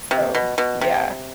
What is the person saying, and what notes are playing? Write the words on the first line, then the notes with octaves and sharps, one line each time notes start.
“So, yeah,
C3
B2
B2
C3